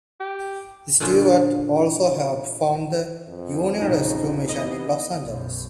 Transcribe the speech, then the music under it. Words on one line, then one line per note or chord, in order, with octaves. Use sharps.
Stewart also helped found the Union Rescue Mission in Los Angeles.
G4
A#2 D3 C#4 D4 F4
F2
A#1 C#3 D#4
E3 B3 D#5
B1 F#2